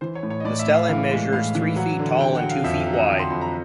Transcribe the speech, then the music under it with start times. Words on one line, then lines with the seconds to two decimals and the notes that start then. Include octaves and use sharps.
The stele measures three feet tall and two feet wide.
0.01 E3 C5
0.15 C#5
0.23 A2
0.30 C#5
0.40 D#5
0.45 A2 D5
0.59 E5
0.66 A2
0.74 F5
0.89 E3 F5
1.11 G#3
1.33 A2 F5
1.55 E3
1.76 F#3 F#5
1.99 D3
2.20 D3 G5
2.35 F#5
2.43 F#3
2.50 F5
2.64 F2 E5
2.79 F5
2.86 F#3
2.94 F#5
3.09 D3 G5
3.19 C6
3.30 F2 B5
3.41 A#5